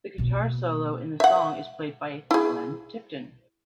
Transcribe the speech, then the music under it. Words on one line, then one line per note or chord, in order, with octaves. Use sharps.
The guitar solo in the song is played by Glenn Tipton.
B2 A#3
E5 F#5
E4 G#4